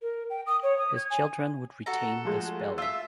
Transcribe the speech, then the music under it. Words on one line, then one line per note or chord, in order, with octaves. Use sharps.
His children would retain the spelling.
A#4
G5
D#6
C#5
D#6
G#6
G#5
F#4 A4 A#5
F3 G#3 A3
F4 E5 E6